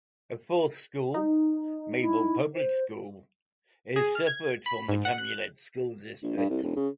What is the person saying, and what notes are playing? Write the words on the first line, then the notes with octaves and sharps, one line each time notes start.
A fourth school, Maple Public School, is separate from the Calumet school district.
D#4
E4
C5
G#4
F6
G#6
B5
G#2
F#5
F#6
A#1
G2
C2
E1
C#3